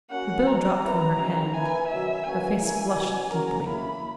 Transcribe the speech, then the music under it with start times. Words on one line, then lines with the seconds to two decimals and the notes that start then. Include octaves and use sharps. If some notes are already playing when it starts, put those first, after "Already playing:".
The bill dropped from her hand; her face flushed deeply.
0.10 A#3 C#4 F#4 A#4 F#5
0.46 D#3 F#3 C#4 A#5
0.81 A#3 E4 B4
1.17 D#3 G#3 C#4 F#4
1.53 A#3 E4 B4 G#5
1.88 B2 F#3 C#4 F#4 A#4 E5
2.24 A#3 C#4 F#4 B4 G#5
2.59 A#3 C#4 E4 G#5
2.95 B2 F#3 C#4 F#4
3.31 C#3 G#3 C#4 F#4 A#4 A#5
3.66 F#3 A#3 E4 B5